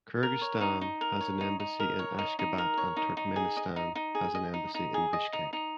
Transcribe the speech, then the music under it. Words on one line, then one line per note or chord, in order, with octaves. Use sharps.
Kyrgyzstan has an embassy in Ashgabat and Turkmenistan has an embassy in Bishkek.
A#4
C#5
D#4
D#4
A#4
C#5
D#4
D#4
A#4
C#5
D#4
D#4
A#4
C#5
D#4
D#4
G#4
D#5
D#4
D#4
G#4
D#5
D#4
D#4
G#4
D#5
D#4
D#4